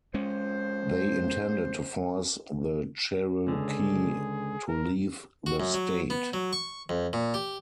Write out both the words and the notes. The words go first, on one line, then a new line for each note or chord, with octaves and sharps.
They intended to force the Cherokee to leave the state.
F2 G#3 C#4 C5
C#2 D3 G#4
A#4
F#4
F#2
F#3
B3
F#3
C#6
F2
A#2
G4